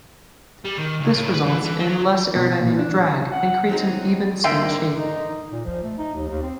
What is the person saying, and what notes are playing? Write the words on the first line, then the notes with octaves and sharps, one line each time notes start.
This results in less aerodynamic drag and creates an even sail shape.
G3
D#3
C#2
A2
B4
E3
E3
F#3
B2
A#2
D4
F#5
F#3 C4 D#4
G#2 D3 A#3 E5 G5 C6
D#4
A#2
F3
A3
D#4
D#2
D#2
C4